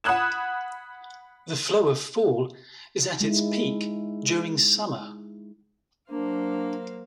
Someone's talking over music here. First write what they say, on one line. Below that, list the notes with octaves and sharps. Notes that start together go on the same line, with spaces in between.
The flow of fall is at its peak during summer.
F#5 B5 D#6 F#6 G#6 E7
G#3 D#4 E4
F#3 A#3 D4 C5 F5